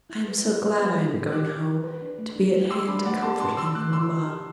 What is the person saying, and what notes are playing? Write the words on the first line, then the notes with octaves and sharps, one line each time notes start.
I am so glad I am going home, to be at hand to comfort him and mamma.
E4
B4
E4
B4
B3
E4
B3
G4 D6 F#6
E4
E4
B4
D4
A3
D4
A3
G4 C6 E6
D4 B5 D6
A3 D5 F#5
G4 A5 C6
D4 A5 C6
D3 C6 E6
A3 D6 F#6
D3 C6 E6
D3
G4